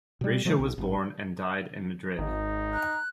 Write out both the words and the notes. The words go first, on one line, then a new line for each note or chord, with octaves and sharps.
Gracia was born and died in Madrid.
B2 G3
B2 F3 G3 A3
B1
G#1
G#1 D#4
A#5 F#6